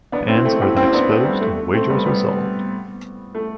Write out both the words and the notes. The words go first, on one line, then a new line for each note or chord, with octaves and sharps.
Hands are then exposed and wagers resolved.
B3 D4
C4 E4
A3 C4
E4 G4
C4 E4
B3 D4
A3
G3
A3
A3
A3 C4
G3 B3
G3 B3
A3